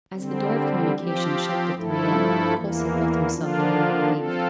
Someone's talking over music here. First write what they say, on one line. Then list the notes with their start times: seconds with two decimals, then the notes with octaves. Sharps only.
As the door of communication shut the three in, Coulson felt himself a little aggrieved.
0.15 D3 G3 C4
0.94 F3 C4 G4
1.74 G2 F3 A3 E4 A4
2.54 E2 E3 A#3
3.33 D3 F3 A#3 D4 F4
4.13 F3 C4 F4 A4